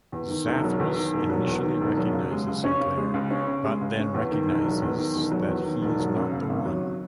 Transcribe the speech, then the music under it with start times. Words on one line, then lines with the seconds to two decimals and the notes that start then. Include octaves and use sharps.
Zathras initially recognizes Sinclair, but then realizes that he is not the One.
0.12 E2
0.30 D#3
0.46 E1
0.63 F#3
0.79 E2
0.97 D#3
1.13 E1
1.29 F#3
1.47 E2
1.63 D#3
1.81 E1
1.97 F#3
2.13 C#3
2.31 G#3
2.47 C#2
2.64 C#4
2.80 C#3
2.97 G#3
3.14 C#2
3.31 C#4
3.47 C#3
3.64 G#3
3.81 C#2
3.98 C#4
4.14 E2
4.31 D#3
4.48 E1
4.65 F#3
4.82 E2
4.98 D#3
5.15 E1
5.32 F#3
5.48 E2
5.65 D#3
5.82 E1
5.99 F#3
6.16 F#2
6.32 C#3
6.49 G#1
6.66 F#3